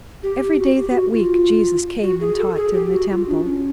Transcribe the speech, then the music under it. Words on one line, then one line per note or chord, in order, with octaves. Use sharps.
Every day that week, Jesus came and taught in the Temple.
G4
F#4
G4
F#4
F4
F#4
G#4
A4
G#4
G4
F#4
F4
D4
C#4